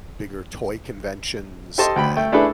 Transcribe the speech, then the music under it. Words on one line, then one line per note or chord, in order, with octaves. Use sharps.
bigger toy conventions and
G4 A4 C5 D#5 A5 C6
D2 G5 B5
A3 G5
A3 D4 E4 G#4 A4 B4